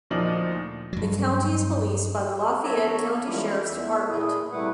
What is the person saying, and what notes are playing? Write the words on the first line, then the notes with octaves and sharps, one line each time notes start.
The County is policed by the Lafayette County Sheriff's Department.
D2 A#2 F3 D4 D#4 F#7
G2 F#3
E2 A4 C#5 E5 A5 A#5
E3 G3 G#3 C#4 E4 F4
E2 E5
A#2 E4 G#4
C3 G3 A3 E4 B4 F#5